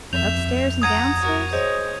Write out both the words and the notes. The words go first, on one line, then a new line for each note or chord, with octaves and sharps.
Upstairs, and downstairs.
F2 E5 G6 F7
F#5 A#5 D#6 G#6 D#7
F#4 A#4
G#4 C5 C#5 D#5